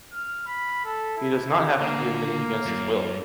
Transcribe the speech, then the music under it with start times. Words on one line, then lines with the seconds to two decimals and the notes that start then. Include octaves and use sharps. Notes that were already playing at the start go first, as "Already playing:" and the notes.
He does not have to be admitted against his will.
0.13 F6
0.47 B5
0.84 A4
1.17 E4
1.81 D3 A#3
2.66 F#2